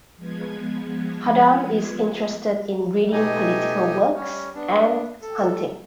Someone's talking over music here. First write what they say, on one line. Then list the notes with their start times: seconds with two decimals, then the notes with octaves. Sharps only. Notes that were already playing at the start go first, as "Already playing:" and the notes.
Khaddam is interested in reading political works and hunting.
0.17 F3 G#3 B3 G#6
3.13 B2 A3 D#4 G4 D#5 G#5
4.14 G3 C#4
4.55 B3 D4
5.22 A4